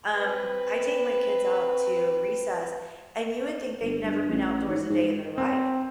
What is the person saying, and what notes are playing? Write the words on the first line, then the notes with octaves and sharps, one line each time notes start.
Um, I take my kids out to recess, and you would think they've never been outdoors a day in their life.
C4 B4
G1
G2
A1
G#2
G#2
C4